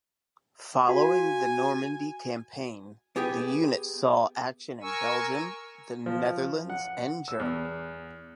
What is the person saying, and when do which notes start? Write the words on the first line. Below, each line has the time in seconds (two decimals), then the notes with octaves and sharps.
Following the Normandy campaign the unit saw action in Belgium, the Netherlands and Germany.
0.89 F#4 F5 G#5
3.16 B3 G4 G#4 G5
4.82 A#4 G#5 C#6 E6
6.06 F3
6.70 F#5
7.28 E6
7.40 E2